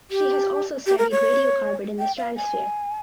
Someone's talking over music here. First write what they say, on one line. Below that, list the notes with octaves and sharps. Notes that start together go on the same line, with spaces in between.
She has also studied radiocarbon in the stratosphere.
G4
G4
A#4
C#5
G5
F5
G#5